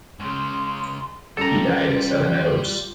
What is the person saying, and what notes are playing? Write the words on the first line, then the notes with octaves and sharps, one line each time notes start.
He died at Sevenoaks.
C#2 C#3 C6
G3 C#4 F4 G4 A4 A#5